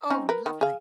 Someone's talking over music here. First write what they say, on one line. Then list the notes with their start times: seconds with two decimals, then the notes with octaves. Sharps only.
Oh, lovely.
0.10 C4 C#4 D#4
0.29 A#4 B4
0.46 D#3
0.61 G#4 F5